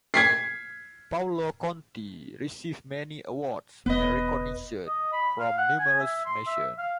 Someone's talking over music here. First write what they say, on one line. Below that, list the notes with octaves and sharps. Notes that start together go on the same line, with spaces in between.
Paolo Conte received many awards and recognitions from numerous nations.
G#6 B6 C7
E1 B3 B4 D#5
D#5
B5
F5
F#5
G#5
E5
C6
E5
F5